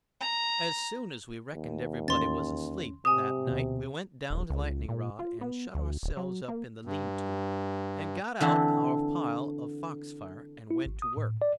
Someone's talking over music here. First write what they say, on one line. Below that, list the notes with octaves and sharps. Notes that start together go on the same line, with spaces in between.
AS soon as we reckoned everybody was asleep that night we went down the lightning-rod, and shut ourselves up in the lean-to, and got out our pile of fox-fire, and went to work.
A#5
D#2
E2 C#4 C6 A6
C3 G4 G#5 D#6
D2 B2
D#1
C#2
A#2
F4
B3
D2
D1
F#3
A#3
G2
D3 E3 C4 D4
E4
G#1
D#6
A2
D5